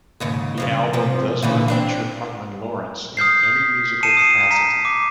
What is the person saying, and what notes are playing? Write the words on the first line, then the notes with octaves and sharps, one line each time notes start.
The album does not feature frontman Lawrence in any musical capacity.
D#2 G#2 C#3
G2 C#3 F3
C3 F3
A#2 D3 E3
C4 D4 F4
D#6 F6 G6 C7
B6
A5 C7 C#7 D#7 E7
D#6 C7
A#5 B6
D6